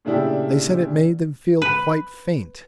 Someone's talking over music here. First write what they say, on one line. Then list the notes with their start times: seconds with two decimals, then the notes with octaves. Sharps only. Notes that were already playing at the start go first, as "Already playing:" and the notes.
They said it made them feel quite faint.
0.05 A#2 C#3 A3 D4 E4 G4
1.62 B4